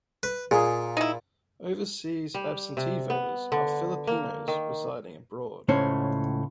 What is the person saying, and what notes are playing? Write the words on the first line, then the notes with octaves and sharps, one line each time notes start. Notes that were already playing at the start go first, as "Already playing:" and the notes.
Overseas absentee voters are Filipinos residing abroad.
B4
A#2 G#4
D#4 E4
G3
C3
B3
D3
A#3
D#3
C#2 A2 C#4 C5